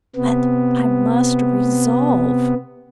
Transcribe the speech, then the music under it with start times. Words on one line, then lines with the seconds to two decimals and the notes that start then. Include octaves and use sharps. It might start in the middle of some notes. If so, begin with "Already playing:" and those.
But I must resolve.
0.16 C3 B3